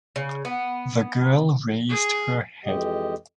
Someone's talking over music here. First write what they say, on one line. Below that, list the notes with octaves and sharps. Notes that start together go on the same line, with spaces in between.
The girl raised her head.
C#3
B3
G#4
F2 E3 G#3 G4 D#5